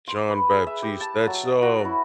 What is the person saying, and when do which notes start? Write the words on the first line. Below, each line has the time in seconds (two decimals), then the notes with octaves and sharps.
Jon Batiste, that's, um
0.08 C6
0.29 B4
0.50 G#4
0.67 E5
0.82 G4
1.01 A5
1.27 F#3
1.62 F#4
1.85 E4